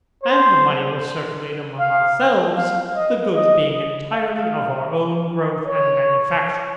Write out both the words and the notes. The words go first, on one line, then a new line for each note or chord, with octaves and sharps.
And the money will circulate among our selves, the goods being entirely of our own growth and manufacture.
C5
F5
F5
D#5
D#5
F5
C#5